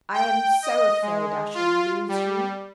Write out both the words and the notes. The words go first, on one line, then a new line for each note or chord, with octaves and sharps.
I am so afraid I shall lose you.
G5
D#5
G#3
F4
G3